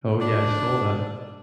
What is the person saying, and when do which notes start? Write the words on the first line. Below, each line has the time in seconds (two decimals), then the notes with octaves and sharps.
Oh, yeah, I saw that.
0.21 D4